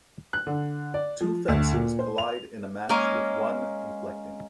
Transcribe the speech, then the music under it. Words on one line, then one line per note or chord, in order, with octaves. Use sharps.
Two fencers collide in a match with one deflecting.
F#6
D3
D5
F3
D2
A#2
C5
F7
G#3 A#3 C#4 A#4 C#5 G#5